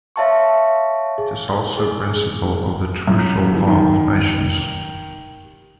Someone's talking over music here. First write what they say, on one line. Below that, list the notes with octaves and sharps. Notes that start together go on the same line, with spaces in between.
It is also a principle of the trucial law of nations.
C#5 E5 F5 A5 C6 C#6
G#4
G#4
F#2
D#3